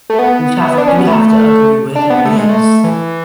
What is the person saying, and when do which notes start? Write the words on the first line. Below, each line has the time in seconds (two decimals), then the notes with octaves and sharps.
You have you have to agree with her, yes.
0.10 A3
0.19 B3
0.78 D4
0.87 C#4
0.98 B3
1.07 A3
1.95 D4
2.10 B3
2.25 A3
2.37 G#3
2.49 A3
2.84 E3